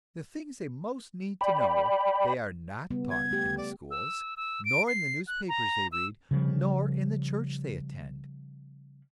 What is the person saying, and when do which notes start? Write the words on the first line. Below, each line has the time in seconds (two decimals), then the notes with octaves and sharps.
The things they most need to know they are not taught in the schools, nor in the newspapers they read, nor in the church they attend.
1.41 D5 G5 B5
2.91 C#3 G3 B3
3.10 G#6
3.31 A3 G4
3.57 D5
3.91 E6
4.37 E6
4.65 D7
4.88 C7
5.27 F#6
5.49 A#5
5.92 E6
6.31 C#3 F3 G3